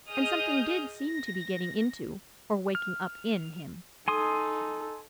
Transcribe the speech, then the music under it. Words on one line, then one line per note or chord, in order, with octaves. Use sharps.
And something did seem to be getting into, or waking up in, him.
G#4 D#5 D#6 F6 G6
A#6
F6
D#4 A4 G#5 C6 D#6